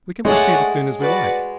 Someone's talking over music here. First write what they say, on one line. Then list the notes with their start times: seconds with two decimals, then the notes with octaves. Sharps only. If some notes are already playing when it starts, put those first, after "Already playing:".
We can proceed as soon as we like.
0.25 G#3 A3 D4 G#4 C#5 F#5
1.00 F#4 B4 D5